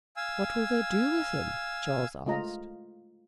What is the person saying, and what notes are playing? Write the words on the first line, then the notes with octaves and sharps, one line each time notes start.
"What will they do with him?" Charles asked.
F5 G#5 E6
G#3 A3 F4 D#5 A#5